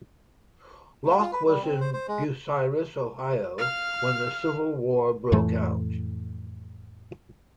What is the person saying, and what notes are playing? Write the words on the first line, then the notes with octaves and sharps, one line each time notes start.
Locke was in Bucyrus, Ohio when the Civil War broke out.
A3
F4
B4
G3
C4
C5
C5
G#3
F5 F6
F2 A2 E3 A3